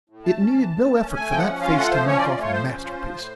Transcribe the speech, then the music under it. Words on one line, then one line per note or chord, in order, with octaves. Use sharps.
It needed no effort for that face to knock off a masterpiece.
A2
A3 A5
C#4
E3
A2
A3
C#4
A3 G#5
F3 G5
F#5
C#4
F4 F5
A3 F#5
F3 C5
C#4 C#5
D5
F4
D5
A3 C#5
F3 C5
C#4
F4
F3
A2